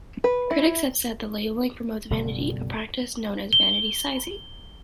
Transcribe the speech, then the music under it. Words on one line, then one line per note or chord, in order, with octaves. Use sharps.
Critics have said the labeling promotes vanity, a practice known as vanity sizing.
B4
E4
F#1 B2 D3 G3
G7